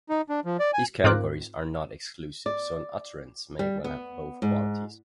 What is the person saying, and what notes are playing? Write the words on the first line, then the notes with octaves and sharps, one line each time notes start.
These categories are not exclusive, so an utterance may well have both qualities.
D#4
D4
F3
D5
G#5
G#2 C4 F4 A#4 D6 F#6
D5
G3
B3
G#2